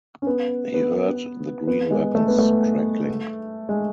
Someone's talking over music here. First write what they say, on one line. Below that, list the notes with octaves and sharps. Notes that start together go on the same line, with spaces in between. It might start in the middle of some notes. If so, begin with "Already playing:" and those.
He heard the green weapons crackling.
C#4
B3
B3
B3
G#3
A3
B3
A3
G#3